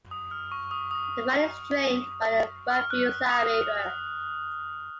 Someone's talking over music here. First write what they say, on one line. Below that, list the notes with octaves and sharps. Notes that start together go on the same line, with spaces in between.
The valley is drained by the Rabiusa river.
D#6
F6
C#6
D#6
D#6
F6
F#6
D#6
F6